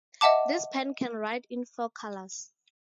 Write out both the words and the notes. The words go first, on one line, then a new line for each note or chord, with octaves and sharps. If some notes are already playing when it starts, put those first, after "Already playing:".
This pen can write in four colors.
D#5 E5 F#5 A5 D6